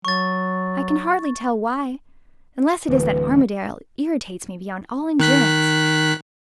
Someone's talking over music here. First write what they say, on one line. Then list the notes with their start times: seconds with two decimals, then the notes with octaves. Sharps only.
I can hardly tell why, unless it is that Armadale irritates me beyond all endurance.
0.05 F#3 C#6 A6
2.89 D1 D3 E3 B4
5.20 D#3 F#6 B6